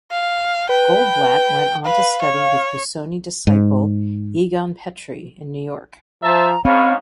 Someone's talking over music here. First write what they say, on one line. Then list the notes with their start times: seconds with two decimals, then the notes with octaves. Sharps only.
Goldblatt went on to study with Busoni disciple Egon Petri in New York.
0.11 F5
0.69 B4 G5
1.85 B4 F5
2.21 C#5
3.47 G#2
6.23 F3 C5 E5 A5 A#5
6.65 G#2 C4 C#4 C#5 F5 B5